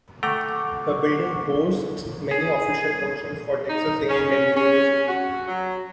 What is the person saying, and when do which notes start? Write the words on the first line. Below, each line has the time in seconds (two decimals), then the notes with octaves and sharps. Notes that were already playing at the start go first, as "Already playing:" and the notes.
The building hosts many official functions for Texas A and M University.
0.23 D3 A3 F#5 G5 A#5 C#6 D6
2.31 G#4
3.68 D#4
4.09 C#4
4.55 C#4
5.07 F#4
5.48 F#3